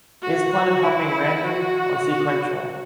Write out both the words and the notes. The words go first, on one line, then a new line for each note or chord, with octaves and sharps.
Is planet hopping random, or sequential?
F#4
F#4
E4
F#4